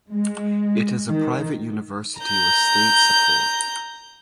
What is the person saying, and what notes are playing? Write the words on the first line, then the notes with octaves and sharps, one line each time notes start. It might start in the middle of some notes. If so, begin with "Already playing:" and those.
It is a private university with state support.
G#3
D#3
A#5 G6